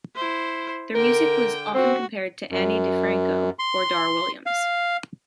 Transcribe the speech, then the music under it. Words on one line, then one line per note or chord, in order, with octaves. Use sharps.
Their music was often compared to Ani DiFranco or Dar Williams.
E4 C5
D3 A#4 G5
C4 F#4
F#2
C6
F5